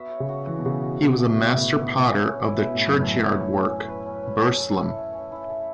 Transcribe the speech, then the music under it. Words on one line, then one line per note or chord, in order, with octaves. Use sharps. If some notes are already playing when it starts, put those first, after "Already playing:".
He was master potter of the Churchyard Work, Burslem.
Already playing: B3 F#4 E5
C#5
C#3
F#4
E3 F#4
B2
C#3 F#4
F#4
B2 F#4
C#3 A3
B2
F#4
A2 B3
B3
B3
C#5
C#4
E4
B2 B4
A2
E4
F#2
A2 B4
A2 F#3
C#5
C#4
C#4
B4
C#4
C#4
A4
A4
E4
C#4
C#4
E4
A4